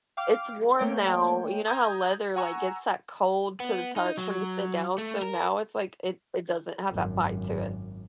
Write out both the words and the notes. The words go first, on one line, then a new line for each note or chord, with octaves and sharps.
It's warm now. You know how leather, like, gets that cold to the touch when you sit down? So now it's like it it doesn't have that bite to it.
F5 G5 D6 F6
A3 A#3 C#5 G5
A#5 D#6 G6 G#6
F#5 G#5 A#5 C#6 E6
B3
D#4
F#3
A3
A#4
G#1 F#2